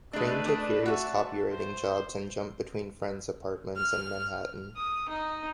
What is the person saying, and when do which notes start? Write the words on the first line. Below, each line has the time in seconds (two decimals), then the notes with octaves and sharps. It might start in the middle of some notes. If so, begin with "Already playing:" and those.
Crane took various copywriting jobs and jumped between friends' apartments in Manhattan.
0.13 G#3 A3 D4 B4
0.45 D4 G#4
0.86 F#4 E5 A5
1.52 C5
3.77 F6
4.76 D#6
5.09 D#4